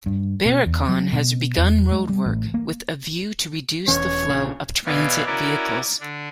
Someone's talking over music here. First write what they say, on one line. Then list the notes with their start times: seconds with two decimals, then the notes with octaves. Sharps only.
Berikon has begun roadwork with a view to reduce the flow of transit vehicles.
0.06 G2
0.46 B2
0.66 E2
0.88 F#3
1.13 B2
1.58 E2
1.92 G#3
2.09 G3
2.26 A1
2.54 A#3
3.88 E1 E3 C#4 C#5
4.29 A#1 C#3
4.86 B2 E3 B4 C#5 D5 F5
5.26 C#4 E4 F#4 A#4 D5
6.00 D3 D4